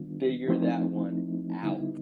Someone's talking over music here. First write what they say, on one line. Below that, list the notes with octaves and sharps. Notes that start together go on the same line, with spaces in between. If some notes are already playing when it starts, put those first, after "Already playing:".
figure that one out.
Already playing: D#3 G3 B3 D4 F4
F3 A3 C4 D#4 E4
D3 G3 B3 D#4 E4